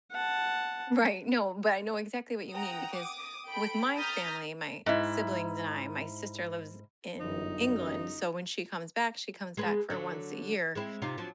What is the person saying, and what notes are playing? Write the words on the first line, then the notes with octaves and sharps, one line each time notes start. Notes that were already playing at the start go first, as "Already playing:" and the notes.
Right. No, but I know exactly what you mean because, with my family, my siblings and I my sister lives in England, so when she comes back, she comes back for once a year,
F#5 A5
F#5 G5 A#5 D#6
D6 D#6
A4 G5 B5 D7
A#5 D#6 F6 G6 A6 B6
G#2 E4
G1 F#2 D#4
G#3 G#4 B4
D3 F#3
G#3 C4 E4
C3 D#4 F4
F3 F#3 D4